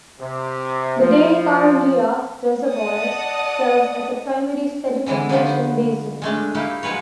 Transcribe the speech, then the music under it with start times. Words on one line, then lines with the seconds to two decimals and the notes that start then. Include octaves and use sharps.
The Dalecarlia Reservoir serves as a primary sedimentation basin.
0.19 C3
0.98 F3
2.70 D5 D#5 F#5 A5 D#6
5.06 D3 E3 G#3 E4
5.29 D3 D#3 F3 A#3 B3 G4
6.22 G#3 A3 D4
6.55 A#3 D#4 E4 G4
6.83 F3 F#3 G#3 B4 C#5